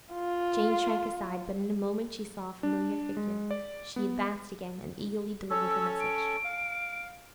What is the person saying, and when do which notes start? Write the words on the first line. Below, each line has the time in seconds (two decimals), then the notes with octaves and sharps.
Jane shrank aside; but in a moment she saw a familiar figure; she advanced again, and eagerly delivered her message.
0.13 F4
2.63 D4
3.17 G#3
3.51 D5
3.96 B3
5.50 C#4 A4 C#5 E6
6.00 D7
6.44 F5